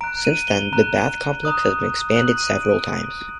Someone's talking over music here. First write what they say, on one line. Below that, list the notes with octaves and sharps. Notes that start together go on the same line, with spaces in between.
Since then, the bath complex has been expanded several times.
A#5 F#6 D7
D#7
G7
A#5 F#6
A#5 D#6 F#6
A#5 D#6 F#6 F#7
D#7
D7